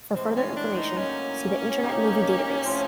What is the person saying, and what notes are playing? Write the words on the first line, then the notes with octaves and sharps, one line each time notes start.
For further information see the "Internet Movie Database".
A2 E3 G#3 C4
C#4
D4
D#4
A2 F#3 A#3 C#4
A#3 D#4 G4
A2 F3 A3 C4 F4